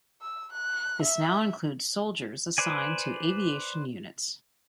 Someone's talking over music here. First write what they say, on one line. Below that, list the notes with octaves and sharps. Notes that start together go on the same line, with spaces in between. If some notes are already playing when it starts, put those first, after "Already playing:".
This now includes Soldiers assigned to aviation units.
E6
F#6
E5
B4 C5 D5 G#5